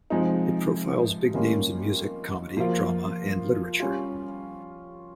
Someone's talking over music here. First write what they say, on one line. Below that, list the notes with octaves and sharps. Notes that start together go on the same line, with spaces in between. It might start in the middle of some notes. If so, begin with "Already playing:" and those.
It profiles big names in music, comedy, drama, and literature.
C3 F3 G#3 D#4
D#3 G3 A#3 C#4 F4
F3 A#3 F4
G3 C#4 F4